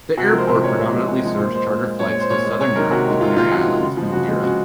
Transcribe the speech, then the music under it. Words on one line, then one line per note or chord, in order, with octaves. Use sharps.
The airport predominantly serves charter flights to southern Europe, the Canary Islands and Madeira.
C3 F#4
A#4
F3 G#3 C5
C3 C5
F3 G#3 C#5
C3
F3 G#3
C3
F3 G#3
A#2 C5
G#3 C5
A#2
G#3
A#2 C#5
C#5
G#3 C5
A#2 C#5
G#3
C3 C#5
D#3 G#3 A#4
C3 F#4
D#3 G#3
C3 F4
D#3 G#3 F4
C3 F#4
D#3 G#3
C#3
F3 G#3
C#3 F#4
F3 G#3
C#3 F#4